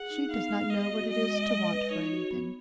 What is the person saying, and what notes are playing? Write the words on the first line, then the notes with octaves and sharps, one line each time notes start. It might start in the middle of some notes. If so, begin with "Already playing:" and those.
"She does not know what it is to want for anything."
Already playing: G#4 F#5
D#4
B3 F5
G#4
B3 D#5
F#4
G#3 D#5
G#3
G#3
B4
D#4 C#5
F#4
B3